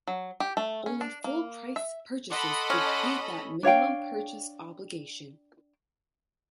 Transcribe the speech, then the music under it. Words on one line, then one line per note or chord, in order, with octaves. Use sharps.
Only full price purchases deplete that minimum purchase obligation.
F#3
G4
A3
C#4
D4
A#3
E5
A4 D#5 F#5 B5 C6 D6
C#4
D4 C#5 F5 G5